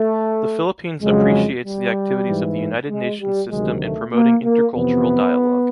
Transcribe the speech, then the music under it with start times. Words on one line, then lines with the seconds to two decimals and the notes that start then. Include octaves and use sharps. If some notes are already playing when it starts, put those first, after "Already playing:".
The Philippines appreciates the activities of the United Nations system in promoting intercultural dialogue.
Already playing: A3
1.02 F2 C#3 F#3 G#3
1.65 G3
2.27 G#2 E3
2.89 G#3
3.20 G3
3.51 D2 C3 D#3 F#3 G#3
3.82 A3
4.14 A#3
4.44 A#3
4.75 F2 C3 E3 B3